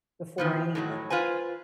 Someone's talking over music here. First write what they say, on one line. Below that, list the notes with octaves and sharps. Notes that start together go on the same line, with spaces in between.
before anything.
D#3 F3 B3
A2 D#3 F#3
F4 B4 C5 G#5